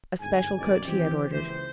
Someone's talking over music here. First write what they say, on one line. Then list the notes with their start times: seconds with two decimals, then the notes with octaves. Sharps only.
A special coach he had ordered.
0.20 G1 G#2 G#5
0.57 F#2 B2 D#3 D5
0.86 E3 F3 C4 G4
1.30 C#2 A#2 E3 C5